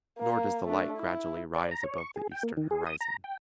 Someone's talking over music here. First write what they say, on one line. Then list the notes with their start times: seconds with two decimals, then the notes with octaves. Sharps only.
Nor does the light gradually rise above the eastern horizon.
0.18 A#3
0.67 A3 D4
0.97 E4
1.56 D5
1.71 A#5
1.84 C#5
1.98 C#6
2.16 G#4
2.31 G5
2.43 A#3
2.57 D#3
2.71 G#4
2.86 D#6
3.01 A#5
3.24 G5